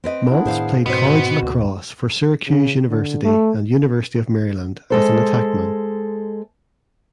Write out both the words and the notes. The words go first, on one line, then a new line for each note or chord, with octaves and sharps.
Maltz played college lacrosse for Syracuse University and University of Maryland as an attackman.
C4 B4 D#5
B3 D4 E4
A2 D#3 G#4 C5 F5
G#2 B2 B3 C4 F#4 C5
D2 A#2
C#3
D3
A3
G#3 A4 C5